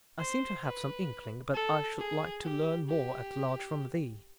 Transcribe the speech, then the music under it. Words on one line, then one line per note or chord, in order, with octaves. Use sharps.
'I seem to have some inkling, but I should like to learn more at large from thee.'
C5
B4
A4
G#4
G4
G4